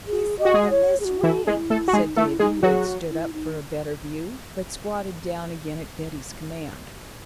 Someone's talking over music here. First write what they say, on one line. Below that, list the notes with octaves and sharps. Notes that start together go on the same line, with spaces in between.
"He's looking this way," said Davy, who had stood up for a better view, but squatted down again at Betty's command.
G#4
D#5
F#4
G#3 G#4
C#5
G#4
F#4
E3 E4
G#3 E4 G#4
A3 A4
F#4
G#3 D#4 G#4
A3 E4 A4
G#3 D#4 G#4
F#3 F#4 G#4
E4
D#4